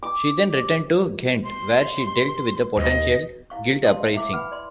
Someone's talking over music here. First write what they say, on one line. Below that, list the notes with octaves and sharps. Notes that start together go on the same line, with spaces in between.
She then returned to Ghent, where she dealt with a potential guild uprising.
D6
C6
D#2 D#5
E4 F5 C#6
F5 A5 C6 C#6 D#6
E4 E5 G#5 D6
B4 F#5 G#5 B5
D5 C6